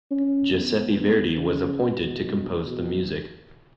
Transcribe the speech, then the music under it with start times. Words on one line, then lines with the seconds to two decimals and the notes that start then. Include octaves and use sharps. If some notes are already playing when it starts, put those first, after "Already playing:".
Giuseppe Verdi was appointed to compose the music.
0.11 C#4
0.53 B3
0.95 B3
1.37 C#3
1.80 B2
2.66 B2